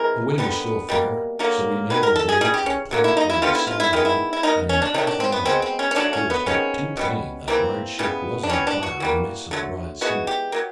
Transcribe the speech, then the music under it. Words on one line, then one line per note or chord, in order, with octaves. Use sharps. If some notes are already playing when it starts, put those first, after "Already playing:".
The wind was still fair, so we made our way for the point where we saw the light, and in half an hour, it was but too plain that a large ship was on fire in the midst of the broad sea.
Already playing: C3 E3 G#3 A#4
D3 G3 B3
B2 G3 A#3
D3 F#3 A#3
D#3 F#3 B4
A#4
A4
G#4
C#3 E3 G3 G#4
G4
C#4
D3 F#3 A#3
E4
D#4
E4
D3 G3 B3 F4
E4
F4
E4
D#3 G#3 B3 F4
E4
E4
B2 F#3 A#3 D#4
C#4
D4
C3 D#3 F#3 A3 D#4
D4
C4
B3
B2 G#3 B3 C4
C4
C#4
C#4
D3 F#3 A3 D4
C#4
B3
C3 D#3 G#3 B3 C#4
B2 G3 B3
E3 G3 A#3 C4
C#3 E3 G3 B3
D4
E3 G3 B3 C#4
D4
F#4
E3 G3 A#3
D3 F#3 A3
E3 G#3 B3 F#4
G4
F#3 A#3